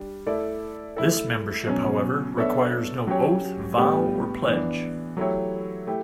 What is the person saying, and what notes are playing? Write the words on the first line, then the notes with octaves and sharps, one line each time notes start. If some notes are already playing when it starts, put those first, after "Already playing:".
This membership, however, requires no oath, vow, or pledge.
Already playing: G3 D4
A3 E4 A4 D5
A3 E4 A4
B2 F#3 C#4
B3 D4 A4 C#5 E5
F#3 C#4 G4 C#5
A2 G3 B3 D4 G4
E3 B3 D4
F#3 A3 E4 G4 C#5
A3 E4 G4